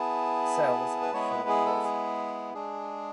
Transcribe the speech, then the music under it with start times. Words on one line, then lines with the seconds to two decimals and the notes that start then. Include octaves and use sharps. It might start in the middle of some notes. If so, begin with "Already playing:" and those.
Cells are short rods.
Already playing: B3 E4 G#4 A5
1.02 B4
1.13 G#3 B3 E4 G#4 C#5
1.31 B4
1.49 G#4
1.66 A4
1.84 G#4
2.54 G#3 D4 G#4